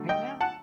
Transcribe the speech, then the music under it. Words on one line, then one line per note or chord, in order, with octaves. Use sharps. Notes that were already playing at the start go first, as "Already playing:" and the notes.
I know.
Already playing: D3 F#3 A3
D#5 G5
F#5 A5